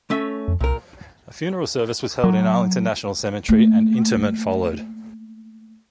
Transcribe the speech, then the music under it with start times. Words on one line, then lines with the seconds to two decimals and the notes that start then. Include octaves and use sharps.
A funeral service was held in Arlington National Cemetery, and interment followed.
0.10 A3 C#4 E5
0.48 F2
0.60 C2 A#2 A#4
2.24 F#3
3.49 A3 A#3